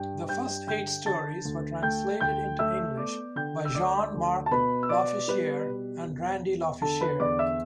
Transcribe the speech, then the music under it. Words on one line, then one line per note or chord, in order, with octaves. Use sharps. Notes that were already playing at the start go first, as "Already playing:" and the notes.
The first eight stories were translated into English by Jean-Marc Lofficier and Randy Lofficier.
Already playing: G2 G5
G2 G5 G6
D3 G5 G6
D3 A5 A6
D2
A3 G5 G6
D2 G5 G6
A3 E5 E6
B3 D5 D6
D3 G5 G6
E6
D2 D5 D6
D2
A5
B2 B4 B5
E6
B3 D5 D6
G3 B4 B5
B2
E2
E2
D3 A4 A5
B4 B5
E2 D5 D6
E5 E6